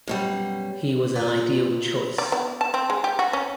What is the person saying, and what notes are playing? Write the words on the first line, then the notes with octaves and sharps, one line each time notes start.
He was an ideal choice.
F#2 B2 G3
A#2
D5
B3
A5
C4
G#3
G4
F#4
C#4